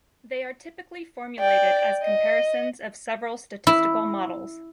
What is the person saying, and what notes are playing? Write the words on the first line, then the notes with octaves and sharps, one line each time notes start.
They are typically formulated as comparisons of several statistical models.
D5 G5
D#5
E4